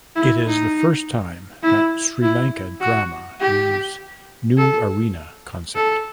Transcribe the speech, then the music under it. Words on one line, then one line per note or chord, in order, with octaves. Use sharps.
It is the first time that Sri Lanka drama use New Arena concept.
E4
D#4
E4
E4
F#4
G4
A4
A4